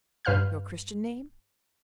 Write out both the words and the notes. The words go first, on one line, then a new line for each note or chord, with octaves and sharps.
"Your Christian name?"
G2 B4 F5 F6 G6